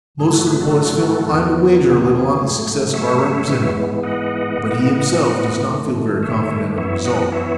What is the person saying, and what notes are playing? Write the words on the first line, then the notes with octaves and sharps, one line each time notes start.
Most of the boys feel inclined to wager a little on the success of our representative, but he himself does not feel very confident of the result.
G#2 F#3 A3 G#4
F#4 A4
G#4 B4
F#4 A4
E2 D#3 F#3 B3
G#4
G#2 F#3 A3
C#5 E5
G#2 E3 G#3 B3
D#5 F#5
A2 E3 B3
G#2 D#3 A3
C#5 E5
F#2 E3 B3 C#5 E5
D#5 F#5
C#5 E5